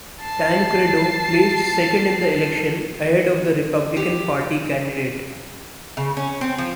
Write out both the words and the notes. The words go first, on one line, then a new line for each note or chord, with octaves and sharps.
Tancredo placed second in the election, ahead of the Republican Party candidate.
A5 C7
G4
C#3
C#4
C4
F3